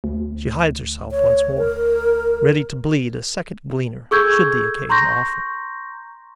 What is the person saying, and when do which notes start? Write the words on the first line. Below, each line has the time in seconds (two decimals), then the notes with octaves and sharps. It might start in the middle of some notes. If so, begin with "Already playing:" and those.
She hides herself once more, ready to bleed a second gleaner should the occasion offer.
0.04 D2
1.11 C#5
1.58 A#4
4.11 G#4 A4 C#6 E6 G6 G#6
4.90 A#5 C6 C#6 G6 A#6